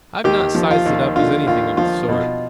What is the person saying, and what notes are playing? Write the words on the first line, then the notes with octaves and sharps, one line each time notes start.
I've not sized it up as anything of the sort.
D#2 G4
F3
F4
D#2
D3 F4
D#2 F4
F3 F4
B2